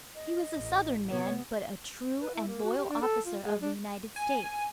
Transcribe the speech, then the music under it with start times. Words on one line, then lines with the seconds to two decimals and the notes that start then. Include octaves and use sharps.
He was a southern man, but a true and loyal officer of the United States.
0.15 D#5
0.56 A1
1.11 C3 B3 C#5
2.22 B4
2.35 E4
2.47 A#3
2.64 F#4
2.78 G4
2.90 D4
3.02 A4
3.26 F4
3.45 G#3
3.62 D4
4.16 G#5